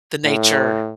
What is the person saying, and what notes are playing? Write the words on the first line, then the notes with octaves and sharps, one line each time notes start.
the nature
A2